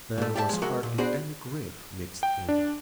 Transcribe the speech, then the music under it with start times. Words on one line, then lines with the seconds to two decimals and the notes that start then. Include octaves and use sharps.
There was hardly any grief mixed in.
0.18 G#2 A3
0.35 G4 D5 E5 F5 A5
0.49 F3 G#3
0.62 G#3 F#4 A#4 D#5 E5
0.83 A#2
0.98 B3 D4 F#4 G#4 C5 D5
2.23 G5
2.49 D4